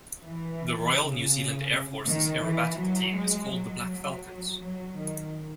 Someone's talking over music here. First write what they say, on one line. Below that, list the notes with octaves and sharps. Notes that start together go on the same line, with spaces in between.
The Royal New Zealand Air Force's aerobatic team is called the Black Falcons.
E3
C#3
D#3
E3
F#3
G#3
F#3
F#3
D#3